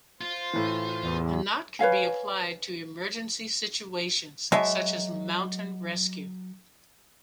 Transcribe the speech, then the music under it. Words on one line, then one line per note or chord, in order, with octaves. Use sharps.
The knot can be applied to emergency situations, such as mountain rescue.
F4 C5
A2 E3
E2
B4 C#5 F5 G#5
F#3 G#3 E5 A5